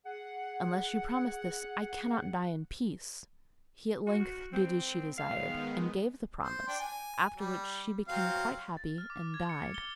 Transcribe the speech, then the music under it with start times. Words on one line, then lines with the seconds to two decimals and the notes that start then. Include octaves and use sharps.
'Unless you promise this I cannot die in peace,' he at length did as she desired, and gave the promise, after which she became quite happy and died.
0.05 G#4 F#5
4.06 F#4
4.53 C4
5.18 D#3 G#3 B3 F5
6.43 C5
6.68 D4 G5
6.80 G#5
7.37 G3
8.08 F#3 C4 F5
8.77 A6
8.98 F6
9.10 D6
9.34 G#6
9.49 C#7
9.74 G7